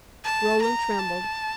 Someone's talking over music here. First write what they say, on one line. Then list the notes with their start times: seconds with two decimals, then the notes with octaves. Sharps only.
Rollin trembled.
0.24 A5
0.62 A#5
0.99 A5